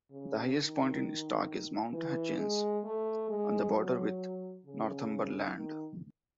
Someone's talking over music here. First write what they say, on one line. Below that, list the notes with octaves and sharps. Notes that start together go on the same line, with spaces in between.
The highest point in Stark is Mount Hutchins, on the border with Northumberland.
C#3
D#3
E3
G#3
A3
G#3
F#3
C#3
D#3